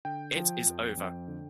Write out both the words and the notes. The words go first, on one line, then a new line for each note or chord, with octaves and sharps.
It is over.
D3 G5
F3
F2
F2
D3